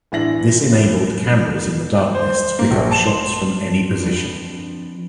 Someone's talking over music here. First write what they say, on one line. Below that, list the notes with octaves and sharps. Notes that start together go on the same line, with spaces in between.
This enabled cameras in the darkness to pick up shots from any position.
A1 E2 D4 E5 A#6 F#7
C5
A#3
A#1
A5
C6
F3 C4 D4 B4